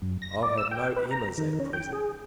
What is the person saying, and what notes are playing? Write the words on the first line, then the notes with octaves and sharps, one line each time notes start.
I'll have no Emmas, at present.
F#2
A#6
D5
E6
G5
B4
A#5
D#3
C#4
G5
G#4